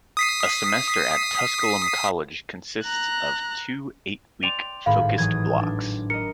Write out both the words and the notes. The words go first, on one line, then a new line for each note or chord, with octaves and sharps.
A semester at Tusculum College consists of two eight-week Focused Blocks.
D#6 B6 C7
A#5 F#6
D5 G5 C6 F7
G#1 A2 F5 B5
E3 F#3 D#6 G#6
D4
A#4 D#5 C#7